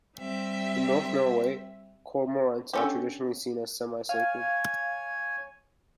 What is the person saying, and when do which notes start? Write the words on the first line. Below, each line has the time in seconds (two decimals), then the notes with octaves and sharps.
In North Norway, cormorants are traditionally seen as semi-sacred.
0.18 G3 C4 E5
2.73 D3 C#4 G4
4.09 C#5 F5 G#5